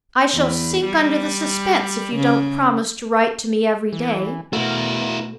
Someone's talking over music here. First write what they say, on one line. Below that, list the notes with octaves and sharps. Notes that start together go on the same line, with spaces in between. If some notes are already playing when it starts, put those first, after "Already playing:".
"I shall sink under the suspense, if you don't promise to write to me every day."
E2
G3
C#3
E3
B2 A3 E4 F#4 A#4